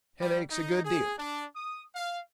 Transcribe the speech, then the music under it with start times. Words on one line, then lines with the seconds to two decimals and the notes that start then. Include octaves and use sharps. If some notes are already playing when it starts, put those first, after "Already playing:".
Head aches a good deal.
0.21 G3
0.51 D#4
0.85 G#4
1.19 D4
1.56 D#6
1.96 F5